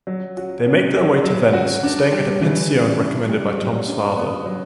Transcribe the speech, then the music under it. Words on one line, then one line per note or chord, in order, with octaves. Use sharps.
They make their way to Venice, staying at a "pensione" recommended by Tom's father.
F#3
F#4
C#4
F#3
F#3
F#4
D4
G3
E3
C#3
D4
G3
F#3
D4
B3
F#3